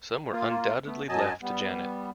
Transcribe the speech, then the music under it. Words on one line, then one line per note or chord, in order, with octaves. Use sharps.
Some were undoubtedly left to Janet.
A#3 F4
A3 B3
F#2 F#3 D#5 G#5 A5
G3 B3